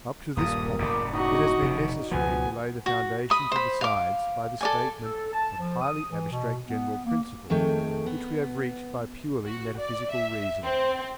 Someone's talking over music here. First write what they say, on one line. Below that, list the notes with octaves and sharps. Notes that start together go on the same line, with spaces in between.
Up to this point it has been necessary to lay the foundations of the science by the statement of highly abstract general principles which we have reached by purely metaphysical reasoning.
D#1 G2 A#3 D#6
F#1 A2 C#3 D5 B5 D6
F#3 D#4 F#4 D#5
F1 B2
C#2 B2 F3 B3 G#5
F#4
B5 D#6
C5 B5
F5 D6
A4 D5 G#5
A4
A5
F3
D#6
E3
B2
B3
A#3
F2 D#3 A3 G#4 G5
B3
F#4
D5
E5
C4